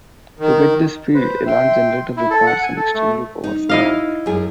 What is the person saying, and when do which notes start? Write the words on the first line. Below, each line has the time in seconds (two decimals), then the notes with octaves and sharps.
To get this field, a large generator requires an extremely powerful magnet.
0.39 D#3
1.15 B4 C5
1.47 E5 G5 C6
2.17 E4
2.30 A4
2.46 F#5
2.63 G#5
2.77 A4
2.94 A3
3.44 D#4
3.69 E4 D#5 F5
4.26 F#2 G#4